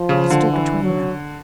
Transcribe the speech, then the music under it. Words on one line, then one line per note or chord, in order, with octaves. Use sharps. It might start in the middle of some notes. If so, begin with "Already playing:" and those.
It stood between them.
Already playing: F3
C#3
D3
E3
F#3